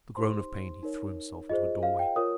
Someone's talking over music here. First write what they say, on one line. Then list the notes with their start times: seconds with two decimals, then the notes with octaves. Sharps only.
With a groan of pain he threw himself into a doorway.
0.17 D#4 G4 C5 C6
0.83 D#4 A#4 C#5
1.49 F4 G#4 C5 D#5
1.83 F5
1.99 G5
2.16 F4 A#4 C#5 D#6